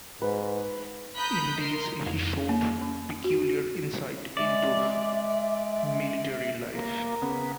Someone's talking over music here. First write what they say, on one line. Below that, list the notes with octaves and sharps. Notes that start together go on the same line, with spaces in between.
In these he showed peculiar insight into military life.
G#2 B4
A#5 B5 D#6 F#6 G6 B6
D#4 A#4 C6
F2
A#3
C#4
F#4
G#3 D5 E5
A#3 A#4
C#3 B3